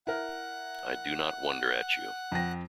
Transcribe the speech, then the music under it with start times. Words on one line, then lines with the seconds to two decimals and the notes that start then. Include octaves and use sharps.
I do not wonder at you.
0.07 E4 A#4 F#5
2.32 F2 G5 A#6